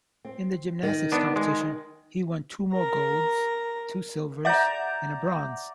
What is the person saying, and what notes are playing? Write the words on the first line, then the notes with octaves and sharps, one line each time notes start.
In the gymnastics competition, he won two more golds, two silvers, and a bronze.
C4
D#3
B3 D4
G#3
A#4 A#5
D5 E5 F#5 A#5 G6